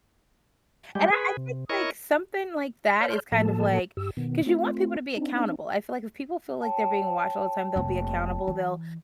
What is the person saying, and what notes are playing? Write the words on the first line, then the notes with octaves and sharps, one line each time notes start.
and I I think, like, something like that is kind of, like 'cause you want people to be accountable. I feel like if people feel like they're being watched all the time, they'll be accountable, they'll
G3 G#3 G4
G#4 B4
C3
E4 A#4 C#5 D#5 C#6
C#5 D5 A5 C6 F6 G6
A2 F3 A#3 A4 A5
G2 G4 E6
B2 D#3 B3
A3 C4 F4
C4 D4 D#4
C#5 G5 A5
F1 A#3
E3